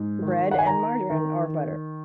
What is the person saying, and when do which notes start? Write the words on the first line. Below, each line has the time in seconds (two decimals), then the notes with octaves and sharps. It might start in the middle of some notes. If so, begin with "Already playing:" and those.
bread and margarine or butter.
Already playing: G#2
0.22 D#3
0.51 F#5
0.59 G#5
0.66 D#3 A#5
1.10 D#3